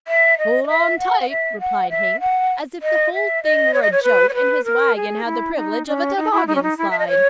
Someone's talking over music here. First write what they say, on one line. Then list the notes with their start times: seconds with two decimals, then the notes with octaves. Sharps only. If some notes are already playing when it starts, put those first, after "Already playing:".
"Hold on tight," replied Hank, as if the whole thing were a joke, and his wagon had the privilege of a toboggan slide.
0.07 E5
0.38 D#5
0.64 D#5
0.68 E5
0.99 F#5
1.21 F#5
1.30 E5
1.60 F#5
1.90 E5
2.20 F#5
2.82 D#5
3.13 E5
3.43 D#5
3.73 C#5
3.82 D#5
3.92 C#5
4.03 B4
4.29 C#5
4.34 B4
4.64 A#4
4.96 G#4
5.25 E4
5.55 D#4
5.87 C#4
6.16 D#4
6.32 E4
6.47 D#4
6.55 C#4
6.63 D#4
6.77 E4
6.91 E5
6.99 D#5
7.08 C#5